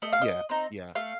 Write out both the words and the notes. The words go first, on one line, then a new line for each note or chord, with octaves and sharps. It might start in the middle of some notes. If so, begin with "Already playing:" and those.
Yeah, yeah.
A3 D#5
F5
D#5
C4 D#4
A3 F5